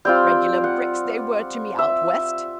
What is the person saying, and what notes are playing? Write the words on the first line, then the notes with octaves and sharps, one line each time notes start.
Regular bricks they were to me out West!
G3 C4 F4 G5
F#5
E5